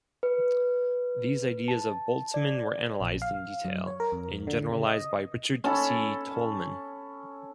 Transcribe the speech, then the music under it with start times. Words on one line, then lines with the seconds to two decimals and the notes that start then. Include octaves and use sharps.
These ideas of Boltzmann were analyzed in detail and generalized by Richard C. Tolman.
0.23 B4
1.68 A5
2.34 D5
3.01 A#1
3.22 F5
3.65 F#2
3.87 C#5
4.00 A#4
4.12 F2
4.47 D3
4.70 C#3
4.87 D#5
5.64 C#4 A4 A5 B5